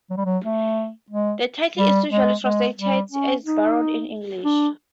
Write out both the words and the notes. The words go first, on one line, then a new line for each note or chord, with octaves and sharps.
The title is usually translated as "Baron" in English.
F#3
G3
F#3
A3
G#3
G3
G#3
G#3
G3
C#4
D#4
D4